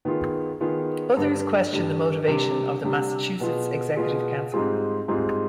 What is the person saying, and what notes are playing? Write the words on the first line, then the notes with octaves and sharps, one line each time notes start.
Others question the motivation of the Massachusetts Executive Council.
D#3 B3 F4 G#4
D#3 B3 F4 G#4
G2 D3 G3
G2 D3 G3
C3 G3 D4
C3 G3 D4
B2 B3 F4 G#4
B2 B3 F4 G#4
G#2 G3 C4 F4 G#4
G#2 G3 C4 F4 G#4